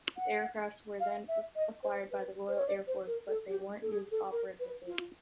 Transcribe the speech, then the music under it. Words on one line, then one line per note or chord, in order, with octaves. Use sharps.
The aircrafts were then acquired by the Royal Air Force but they weren’t used operatively.
F#5
F5
E5
D#5
C5
B4
C5
C#5
D5
C5
A#4
A4
G4
A4
G#4
A4
A#4
B4
F4